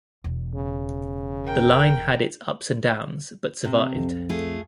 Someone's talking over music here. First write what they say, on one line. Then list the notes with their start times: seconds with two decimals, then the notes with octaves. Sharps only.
The line had its ups and downs, but survived.
0.24 E1 E2
0.55 C#3
1.44 A#4 G5
3.65 C3
3.93 B1 F2
4.29 A3 F4 G#4